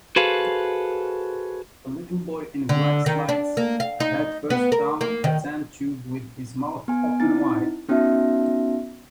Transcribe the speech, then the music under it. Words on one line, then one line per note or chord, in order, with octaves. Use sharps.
A little boy in black slides headfirst down a tan tube with his mouth open wide.
F#4 G#4 A4 B4 C5 F5
D3
D#3
D4
A#3
F5
D#4
B3
A#4
A#3
D#3
B3 G#5
C4 D#4 E4 A6
B3 C#4 D#4 F#4 E5 A5